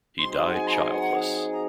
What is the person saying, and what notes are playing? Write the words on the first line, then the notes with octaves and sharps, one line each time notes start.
He died childless.
F#3 C4 D#4 G#4 C6
F#5
G#5
C6
A#5
G#5
F#5
A#5